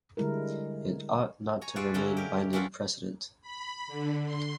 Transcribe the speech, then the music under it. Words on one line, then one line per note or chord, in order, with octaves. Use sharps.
It ought not to remain binding precedent.
D3 G3 G#3 E4 A#4
C#5 G#5 A#5
F4 F#4 G#4 B4 D5 E5
D3 F#3 C#4 D#4 E4
G4 A#4
E3 C#4 D4 E4 F4 F#5
B5
D3
C6